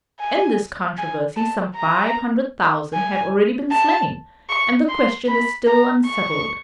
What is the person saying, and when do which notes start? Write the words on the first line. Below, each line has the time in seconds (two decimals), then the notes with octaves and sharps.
In this controversy some five hundred thousand have already been slain, and the question is still unsettled.
0.20 G#5
0.98 G#5
1.37 A5
1.76 A#5
2.94 G#5
3.71 A5
4.50 C#6
4.89 C6
5.28 B5
5.68 A#5
6.06 C#6